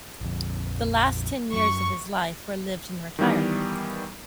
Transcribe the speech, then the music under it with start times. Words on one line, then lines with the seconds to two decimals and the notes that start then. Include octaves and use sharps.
The last ten years of his life were lived in retirement.
0.21 A#1 F2
1.53 F#2 F#3 C#6
3.19 D#3 E3 G3 B3